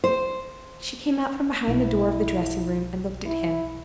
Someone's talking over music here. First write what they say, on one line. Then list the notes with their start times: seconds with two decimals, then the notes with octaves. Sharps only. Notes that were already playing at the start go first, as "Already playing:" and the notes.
She came out from behind the door of the dressing room, and looked at him.
0.04 C5
1.68 B1 E4
3.26 E4